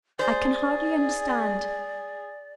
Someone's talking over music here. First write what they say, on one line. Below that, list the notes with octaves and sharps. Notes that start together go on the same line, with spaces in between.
I can hardly understand.
G#4 C5 D5